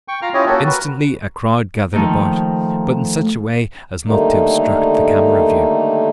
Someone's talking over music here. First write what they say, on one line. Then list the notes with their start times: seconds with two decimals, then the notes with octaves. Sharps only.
Instantly a crowd gathered about, but in such a way as not to obstruct the camera view.
0.08 G5 C#6
0.22 F4 F5 A#5 F6
0.34 C#4 E4 F4 G4 C#5 D#5
0.47 A#3 C#4 F#4 G4 A4
0.66 F#4 A#4 B4
1.93 D#3 F3 A3 D#4
4.06 D3 D#3 G3 A3 A#3 D#4